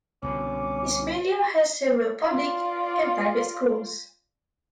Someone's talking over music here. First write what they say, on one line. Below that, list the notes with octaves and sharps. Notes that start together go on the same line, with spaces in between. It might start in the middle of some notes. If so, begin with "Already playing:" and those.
Ismailia has several public and private schools.
C2 B2 D3 C#4 D6
F4 D5